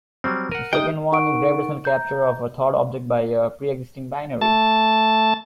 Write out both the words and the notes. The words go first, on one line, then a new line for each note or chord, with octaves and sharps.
The second one is gravitational capture of a third object by a preexisting binary.
F#3 G3 C4 F6
A#4 F#5 D#7
D#4 G4 G5 D#6
D#4 A#4 F#5 C#6 D7
A#5 G6
A3 A5